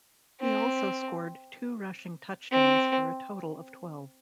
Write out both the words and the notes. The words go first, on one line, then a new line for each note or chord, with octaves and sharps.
He also scored two rushing touchdowns, for a total of twelve.
C4
C4